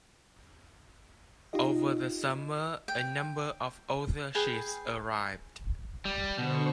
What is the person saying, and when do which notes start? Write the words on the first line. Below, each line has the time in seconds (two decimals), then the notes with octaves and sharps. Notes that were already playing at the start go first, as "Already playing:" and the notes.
Over the summer a number of other ships arrived.
1.53 D#4 F4 G4 D#5
2.88 G5
4.35 G#4 B4 G5 G#5
6.05 G3
6.38 B2 D3 C5 C#6